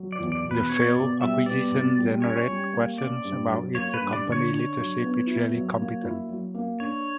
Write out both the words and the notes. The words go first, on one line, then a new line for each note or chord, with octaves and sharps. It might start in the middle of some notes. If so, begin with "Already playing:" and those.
The failed acquisition generate questions about if the company leadership is really competent.
Already playing: F#3
D5
E2
D5
B2
B4
B3 C#5
B2 D5
G3 E5
B3 D5
B2
G3
C#4 C#5
G3
A#3
C#4 D5
G2
F#3
A#3 C#5
B4
G2
D5
D3
C#5
D4 C#5
F#3
B3
E4
F#3
A#3
E4
F#3
A#3
D4 C#5